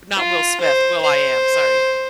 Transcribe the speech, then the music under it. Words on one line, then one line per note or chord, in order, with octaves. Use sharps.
not Will Smith, will.I.am, sorry.
F4
C5
C5